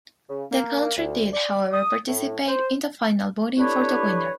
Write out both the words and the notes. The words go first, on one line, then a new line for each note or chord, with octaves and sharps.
The country did however participate in the final voting for the winner.
C#3
A#3
D2
D5
D#6
A2
C5
D4 E4 G4 A4 B4 C#5